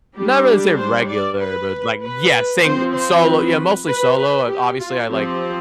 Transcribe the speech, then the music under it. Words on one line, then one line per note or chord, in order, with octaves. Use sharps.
not really say regular, but, like Yeah, saying solo Yeah, mostly solo. I've Obviously, I like
G3 D4 G4
C5
D5
B4
B4
F3 C4 C5
C5
B4
B4
B4
G4
F4
F3 C4 G4